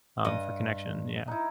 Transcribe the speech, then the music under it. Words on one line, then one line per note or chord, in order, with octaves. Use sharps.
um, for connection, yeah.
G2 D#5
D#4 E4